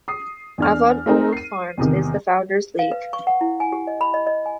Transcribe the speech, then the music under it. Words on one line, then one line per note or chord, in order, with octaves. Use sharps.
Avon Old Farms is in the Founders League.
D#6 C7
E2 D4 F6
A3 C4 D#4 A#4
C7 D#7
E2 C3 D#3
F5
B4
C#6
F#5
E4
G#5
G4
D#5
B5
D#5
D#5
G#5